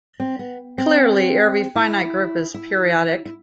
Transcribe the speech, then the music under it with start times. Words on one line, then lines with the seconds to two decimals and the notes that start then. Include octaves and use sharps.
Clearly, every finite group is periodic.
0.20 C4
0.39 B3
0.78 C4
1.76 E4
2.54 E4
3.26 E4